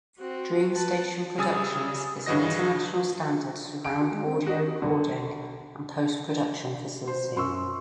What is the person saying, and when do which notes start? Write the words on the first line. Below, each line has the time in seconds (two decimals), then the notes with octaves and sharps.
Dream Station Productions is an international standard surround audio recording and post production facility.
0.19 C4 F#4
0.74 B4 A5
1.38 C#3 G3 G#5 D#6 E6 A6
2.26 G2 C#3 E3 F#4 D#5 A#6
3.85 D7
3.99 F#4
4.13 G#3
4.25 C4
4.47 D4 F#4 D#5
4.82 B1 D3
7.07 C5 C6
7.36 F#2 C6 C#6 E6